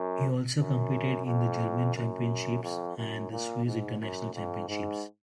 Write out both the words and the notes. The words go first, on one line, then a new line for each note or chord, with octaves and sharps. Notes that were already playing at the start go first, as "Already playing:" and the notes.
He also competed in the German Championships and the Swiss International Championships.
Already playing: F#2
F#2
F2
F#2
F2
F#2
A#2
G#2
F#2
F2
G#2